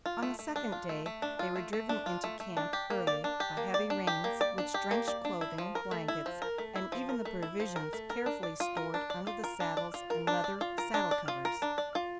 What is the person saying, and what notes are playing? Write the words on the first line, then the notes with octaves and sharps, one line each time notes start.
On the second day they were driven into camp early by heavy rains which drenched clothing, blankets, and even the provisions carefully stored under the saddles and leather saddle-covers.
F4
A3
A3
D4
F4
A3
A3
D4
F4
A3
A3
D4
F4
A3
A3
D4
G4
A#3
D5
D4
G4
A#3
D5
D4
G4
A#3
D5
D4
G4
A#3
D5
D4
E4
F3
A#4
A3
E4
F3
A#4
A3
E4
F3
A#4
A3
E4
F3
A#4
A3
A#4
D4
D5
F4
A#4
D4
D5
F4
A#4
D4
D5
F4
A#4
D4
D5
F4
A#4
D4
D5
F4
A#4
D4
D5
F4